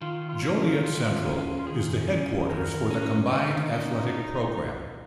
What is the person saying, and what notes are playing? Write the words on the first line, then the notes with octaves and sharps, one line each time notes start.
Joliet Central is the headquarters for the combined athletic program.
D#3 F4
F4
C#4
A#4
D#3 F4
C#4
F4
D#3 G#4
C#4
D#3 A#4
C#4
D#3 D#4
A#3 C#4